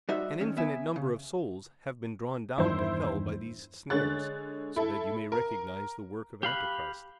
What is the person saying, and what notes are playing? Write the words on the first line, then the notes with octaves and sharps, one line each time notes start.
An infinite number of souls have been drawn down to hell by these snares, so that you may recognise the work of antichrist.
G3 D#4 F#4 C5 E5
D#3 C#4
B3 E5 G#5
C#3
E2 G2 D#3 E4 C5
D3 G#3 C#5 F#6 A6
E4 A4
A#4
G4 F5 B5 F#6